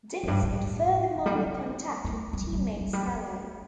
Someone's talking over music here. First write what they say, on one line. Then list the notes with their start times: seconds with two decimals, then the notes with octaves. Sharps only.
Diniz made further minor contact with teammate Salo.
0.23 F2
0.28 G2
0.43 A2
1.16 D3
1.26 G3
1.35 D3
1.46 G3
2.05 A3
2.33 G3
2.44 F3
2.53 G3
2.80 F3
2.93 G3
3.07 A3